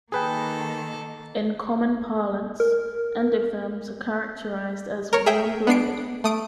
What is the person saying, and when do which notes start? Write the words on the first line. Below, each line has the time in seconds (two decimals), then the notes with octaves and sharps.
In common parlance, endotherms are characterized as "warm-blooded".
0.12 D#3 A#3 G#4 A4 B4 G5
2.60 A#4
5.13 A#4 C#5
5.26 G#4 E5 G5
5.67 B3 D4 C7 D7
6.24 A3 D#6 D7